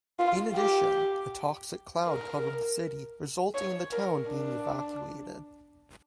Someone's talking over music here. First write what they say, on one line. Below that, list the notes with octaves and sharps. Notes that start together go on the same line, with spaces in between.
In addition, a toxic cloud covered the city resulting in the town being evacuated.
F4
G4
A#4
C#5
A#4
D4